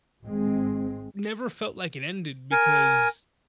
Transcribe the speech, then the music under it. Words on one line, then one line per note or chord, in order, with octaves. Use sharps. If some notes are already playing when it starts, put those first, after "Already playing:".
never felt like it ended, because
G#1 G#3 C4
A#4 G#5